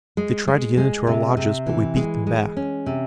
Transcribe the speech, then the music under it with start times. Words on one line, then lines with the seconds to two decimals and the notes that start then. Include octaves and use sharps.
They tried to get into our lodges, but we beat them back.
0.17 G#3
0.47 G#3
0.77 G#3
1.07 C3
1.37 C3
1.66 E3
1.96 G#3
2.27 G#3
2.57 C#4
2.86 C3